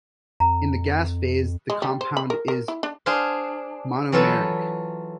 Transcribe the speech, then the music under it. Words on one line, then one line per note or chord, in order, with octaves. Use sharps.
In the gas phase the compound is monomeric.
F2 A#5
G#3
G3
C5
B5
A#4
A#4
E4
D4
D4 G#4 C5 F5 C6
E3 F#3 F4 A4 B4